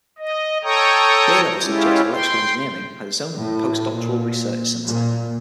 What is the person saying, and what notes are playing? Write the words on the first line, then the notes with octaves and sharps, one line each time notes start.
The A level subject of Electrical Engineering has its own post doctoral research center.
D#5
A4 C#5 G5 A#5 C#6 D#6
G#3 C#4 E4 F4 G4
G5 C6
A2
A#2
A#2